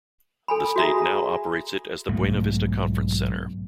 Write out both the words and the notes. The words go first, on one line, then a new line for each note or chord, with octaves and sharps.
The state now operates it as the Buena Vista Conference Center.
A4 G#5 B5
F#4 G#4 E5 A#5
B1 G#2 A3